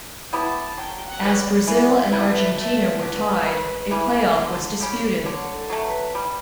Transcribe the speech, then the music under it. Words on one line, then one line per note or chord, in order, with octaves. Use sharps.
As Brazil and Argentina were tied, a playoff was disputed.
B3 E4 G4 A5
F#3 G5
F#5
C#4 G4 B4
D5
E3 D5
B4
A3 E4
B4
A3 B4
D4 F#4
C#3
E3 G3
D3
G3 C#4 G4
D3 C#5
A4
F#3 A3
B4
G3